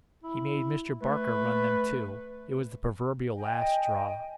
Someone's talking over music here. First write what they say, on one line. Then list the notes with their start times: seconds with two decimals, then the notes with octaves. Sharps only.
He made Mr. Barker run them too--it was the proverbial last straw.
0.23 E4
1.02 A3 B4
3.36 D#5 G5 G#5